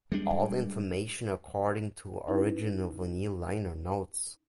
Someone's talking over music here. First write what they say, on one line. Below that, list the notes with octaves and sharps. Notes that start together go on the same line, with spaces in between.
All information according to original vinyl liner notes.
G3 G#3 D4
C#4 D#4 E4 B4